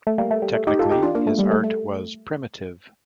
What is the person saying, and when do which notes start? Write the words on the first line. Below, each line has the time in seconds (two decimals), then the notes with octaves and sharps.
Technically his art was primitive.
0.07 A3
0.18 G3 A#3
0.31 A3
0.42 G3
0.54 A3
0.67 D#4 G4
0.79 F4 A4
0.90 D#4 G4
1.03 D4 F4
1.15 A#3 D4
1.27 A3
1.39 G3
1.51 A3
1.64 A3